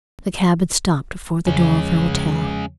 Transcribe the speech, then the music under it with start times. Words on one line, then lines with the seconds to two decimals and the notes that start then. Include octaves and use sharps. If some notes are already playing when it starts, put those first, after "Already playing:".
The cab had stopped before the door of her hotel.
1.47 E2 C#3 F3 G#3 C#4